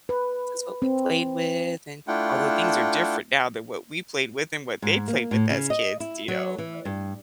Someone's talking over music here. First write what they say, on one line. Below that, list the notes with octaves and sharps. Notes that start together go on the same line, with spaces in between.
this is what we played with," and although things are different now than what we played with and what they played with as kids, do you know, but,
B4
C4
A3 D4 E4 F4 F#5 G5
G#2
A#3
A2
C#3
D#5
E4
F#3
E3
G2